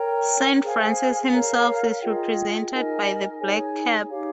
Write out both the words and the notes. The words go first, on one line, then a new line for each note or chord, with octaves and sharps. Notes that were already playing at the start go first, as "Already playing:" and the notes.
Saint Francis himself is represented by the blackcap.
Already playing: A#4 C#5 G5 A#5
G#4 C5 F5 G#5
A#4 C#5 F5 A#5
F4 G#4 D#5 G5
D#4 A#4 D#5 G#5
D#4 G#4 C#5 G#5
D#4 G4 C#5 F5